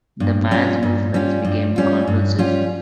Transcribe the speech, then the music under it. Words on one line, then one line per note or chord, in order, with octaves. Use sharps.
The man’s movements became convulsive.
G2
G3 C#4 F4
G2
G3 C#4 F4
G2
G3 C#4 F4
G2
G3 C#4 F4